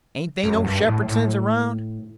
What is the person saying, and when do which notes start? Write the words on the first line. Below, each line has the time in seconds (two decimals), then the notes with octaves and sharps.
"Ain't they no Shepherdsons around?"
0.43 F#2
0.65 G2
0.86 A2
1.09 A2